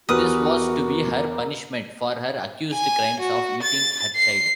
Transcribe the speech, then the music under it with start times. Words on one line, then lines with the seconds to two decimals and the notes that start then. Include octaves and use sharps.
This was to be her punishment for her accused crimes of eating her child.
0.09 E2 F#4 G4 A#4 B4 D#6 F6
2.73 G#5
3.21 F#4
3.63 A6
4.16 C7